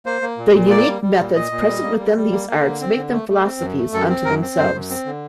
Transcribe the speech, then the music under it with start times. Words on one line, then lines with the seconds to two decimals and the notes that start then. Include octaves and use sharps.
The unique methods present within these arts make them philosophies unto themselves.
0.06 A#3 C5
0.22 A#3
0.38 A#2
0.54 A#2
0.70 A#3 D5
0.87 G3
1.02 G3
1.19 A#2
1.34 A#2 D#5
1.51 A#2
1.67 G3
1.84 A#3
1.99 G3
2.16 G3
2.31 A#3
2.48 A#3
2.64 D3
2.81 C4
2.96 D3
3.12 A3
3.29 A3
3.45 C4
3.61 F#2
3.77 A3
3.93 F#2 A4
4.09 C4
4.25 F#2 A#4
4.42 C4
4.57 F#2 C5
4.74 F#2
4.90 C4
5.06 D3